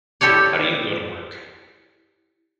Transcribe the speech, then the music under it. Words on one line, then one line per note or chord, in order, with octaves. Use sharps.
How do you go to work?
E4 G4 A4 C#5 D5